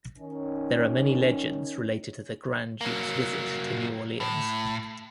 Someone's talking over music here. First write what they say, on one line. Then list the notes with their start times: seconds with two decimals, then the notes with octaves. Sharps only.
There are many legends related to the Grand Duke's visit to New Orleans.
0.19 D#3 C#4
2.81 F#3 A#3
4.20 A2